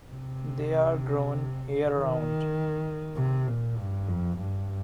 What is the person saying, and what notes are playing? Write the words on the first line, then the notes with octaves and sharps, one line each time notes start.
They are grown year-round.
C3
D#3
C3
A#2
G2
F2
G2